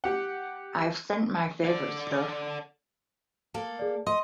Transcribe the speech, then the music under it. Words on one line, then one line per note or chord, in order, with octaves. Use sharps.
I sent him my favorite stuff.
G4 F#5
D3 D5
A#3 A4
G#4 D5
D#5 C6